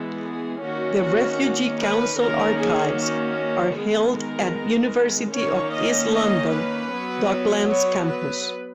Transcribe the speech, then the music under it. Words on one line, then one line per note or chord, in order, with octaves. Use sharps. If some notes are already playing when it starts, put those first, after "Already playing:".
The Refugee Council Archives are held at University of East London, Docklands Campus.
Already playing: E3 G#3 B3
G#4
D#3 A#3 C#4 F#4
F#4
B4
D#3 A#3 C#4 A#4
G#4
F#4
D#3 G#3 B3 G#4
A#4
D#3 A#3 C#4 C#5
D#5
D#5
B4
F#3 B3
C#5
B4